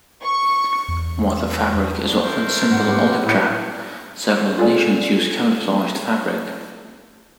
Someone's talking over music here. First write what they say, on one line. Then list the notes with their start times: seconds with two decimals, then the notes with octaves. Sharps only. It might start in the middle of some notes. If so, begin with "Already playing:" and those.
While the fabric is often simple olive drab, several nations use camouflaged fabric.
0.23 C#6
0.88 E2
2.07 D#3 B3 D4
2.23 A3 A#4 C5
2.71 G#2 F#5
2.88 G4 B4
3.23 A2 E3 B3
4.58 F4 G#4 A4 D5